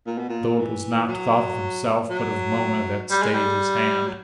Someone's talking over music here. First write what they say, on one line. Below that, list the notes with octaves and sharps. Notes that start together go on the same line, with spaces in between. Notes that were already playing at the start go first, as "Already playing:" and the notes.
Though it was not thought of himself but of Mona that stayed his hand.
A#2
B2
A#2
E3
F#3
F#3
G3
G#3
G3
F#3